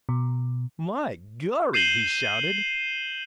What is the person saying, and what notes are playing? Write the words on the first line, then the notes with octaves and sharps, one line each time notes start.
"My gorry!" he shouted.
B2
G6 C7 D#7 E7 F#7 G7